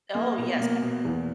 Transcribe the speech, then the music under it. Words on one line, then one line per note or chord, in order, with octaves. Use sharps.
Oh, yes. Definitely.
A#3
B2
A#3
B2
E2